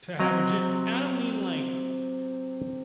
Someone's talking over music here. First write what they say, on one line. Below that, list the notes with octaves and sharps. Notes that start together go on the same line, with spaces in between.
to have a ge and I don't mean like
C3 F#3 C4 D#5 A#5